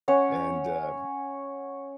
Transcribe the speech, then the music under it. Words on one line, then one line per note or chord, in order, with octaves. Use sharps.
and, um
C#4 C#5 F#5